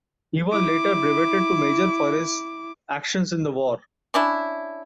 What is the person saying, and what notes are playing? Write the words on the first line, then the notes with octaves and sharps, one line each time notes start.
He was later breveted to major for his actions in the war.
E4 D6
C#4 D4 E4